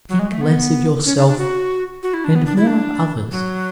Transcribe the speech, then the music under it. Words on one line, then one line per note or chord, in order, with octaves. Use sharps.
Think less of yourself and more of others.
F#3
G#3
A3
B3
C#4
D4
D4
F#4
F#4
E4
D4
B3
D4
E4
D4
F#3